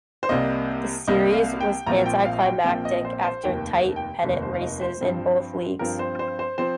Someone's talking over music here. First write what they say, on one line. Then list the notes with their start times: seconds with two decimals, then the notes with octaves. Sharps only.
The Series was anti-climactic after tight pennant races in both leagues.
0.23 C5
0.29 C2 C3 G3 A#3 D#5
1.08 C2 C3 G3 A#3 D#5
1.34 F5
1.60 G5
1.86 A#1 A#2 F3 C4 A#5
2.06 G5
2.25 F5
2.45 G5
2.64 A#1 A#2 F3 C4 G5
2.85 D#5
3.05 C5
3.24 C5
3.43 F1 D#2 D#3 G5
3.96 G5
4.23 F1 D#2 D#3
4.42 C5
4.54 F5
4.61 D#5
4.81 C5
5.01 G2 F3 C4
5.79 G2 F3 C4 A#4
5.99 C5
6.19 C5
6.39 C5
6.58 F3 C4 C5